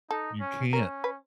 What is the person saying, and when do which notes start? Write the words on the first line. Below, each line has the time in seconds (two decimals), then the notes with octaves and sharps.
you can't
0.10 D#4 A4
0.41 C#4
0.73 C#4 A#4
1.04 B4